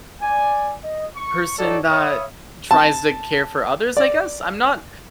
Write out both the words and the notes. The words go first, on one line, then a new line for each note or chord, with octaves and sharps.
person that tries to care for others, I guess? I'm not
D5 G#5
D#5
C#6
D#4 F#4 A4 C#5 D5
C#5 E5 F5 B5 D#6
A5
D5